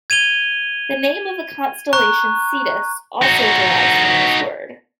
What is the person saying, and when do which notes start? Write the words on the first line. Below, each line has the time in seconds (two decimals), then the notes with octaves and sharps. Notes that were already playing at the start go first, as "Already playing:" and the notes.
The name of the constellation Cetus also derives from this word.
0.10 G#6 D#7 F7 G7
1.93 A#5 C#6 F#6
3.22 D#4 F#4